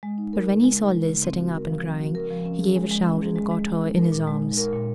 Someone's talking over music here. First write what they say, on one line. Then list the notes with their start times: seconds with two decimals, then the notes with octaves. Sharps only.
But when he saw Liz sitting up and crying he gave a shout and caught her in his arms.
0.03 G#3
0.18 D#4
0.33 A#4
0.48 C#3
0.64 G#3
0.79 D#4
0.94 A#4
1.09 C#3
1.24 C4
1.40 F#4
1.55 A#4
1.70 F3
1.85 C4
2.00 F#4
2.15 A#4
2.31 F3
2.46 C#4
2.60 G#4
2.76 G#3
2.91 G#3
3.06 C#4
3.21 G#4
3.36 G#3
3.51 G#3
3.66 G#3
3.82 D#4
3.97 A#4
4.12 A#2
4.27 G#3
4.42 D#4
4.58 A#4
4.72 A#2